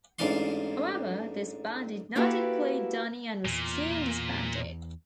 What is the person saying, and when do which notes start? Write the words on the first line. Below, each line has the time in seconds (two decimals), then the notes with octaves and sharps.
However, this band did not include Donnie and was soon disbanded.
0.19 A1 G#2 E3 D4 F5 C6
2.16 A#3 E4 F#4 G4 A4 B4
3.45 E2 A#2